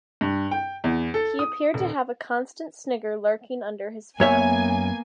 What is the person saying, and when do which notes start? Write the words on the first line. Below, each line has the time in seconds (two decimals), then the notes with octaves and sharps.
He appeared to have a constant snigger lurking under his frown.
0.21 G2
0.51 G5
0.84 E2
1.14 A4
1.39 D#6
1.74 D#1
4.20 F#2 A#3 B3 C#5 E5 G#5